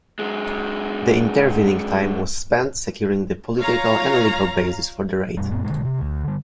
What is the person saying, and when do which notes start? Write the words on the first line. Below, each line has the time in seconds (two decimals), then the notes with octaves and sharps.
The intervening time was spent securing the political and legal basis for the raid.
0.19 F#2 G#3
3.59 F4 C#5 F5 A#5
5.37 F#2 B2 G3
5.51 F#2 A#2 B3
5.65 B2 D3 D#3 G#3
5.85 C3
5.99 D2
6.24 D3 G3